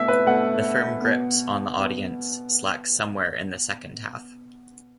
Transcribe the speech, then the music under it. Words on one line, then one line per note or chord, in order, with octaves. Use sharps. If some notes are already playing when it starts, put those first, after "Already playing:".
The firm grips on the audience slacks somewhere in the second half.
Already playing: B2 A3 E5
B4
B2 A3 F#5
B2 B3
B2 B3